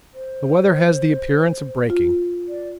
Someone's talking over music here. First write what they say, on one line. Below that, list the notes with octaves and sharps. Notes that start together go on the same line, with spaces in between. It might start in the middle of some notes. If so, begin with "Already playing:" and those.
The weather has the appearance of breaking.
C5
F4
D5